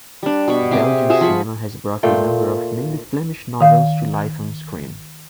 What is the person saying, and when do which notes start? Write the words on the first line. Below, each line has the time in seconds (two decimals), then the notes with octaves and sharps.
Belgian cinema has brought a number of mainly Flemish novels to life on-screen.
0.23 G3 D4
0.48 B2 B5 C#6
0.71 C3 G4 G#4 D6
1.09 F4 F#4 G#4 E5
1.21 F3 B5 C#6
2.03 A#2 A3 F4 G5
3.61 D#3 F5